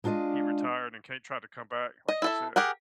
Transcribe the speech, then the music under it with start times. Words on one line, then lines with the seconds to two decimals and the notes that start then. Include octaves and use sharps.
he retired, and Kade tried to come back like you said.
0.04 G#3 D4 F4 D5 D#5
2.09 D#5
2.22 E4 A4 E5
2.56 G4 G#4 A#4 F#5